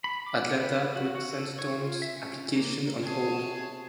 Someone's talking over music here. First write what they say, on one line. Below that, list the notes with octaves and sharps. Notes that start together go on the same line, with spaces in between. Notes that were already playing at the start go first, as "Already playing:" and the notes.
Atlanta put Sandtown's application on hold.
B5
D6
B4
F#4
F#4
A4
C#5
F4
E5
C#4
A#3
C3 G#4 C#5 A5